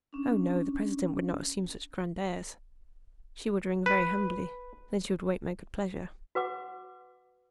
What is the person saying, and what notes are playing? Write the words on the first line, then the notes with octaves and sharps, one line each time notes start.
Oh! no, the presidente would not assume such grand airs; she would ring very humbly, then she would wait my good pleasure.
C#4 D4
B4
F#4 B4 F#5 D6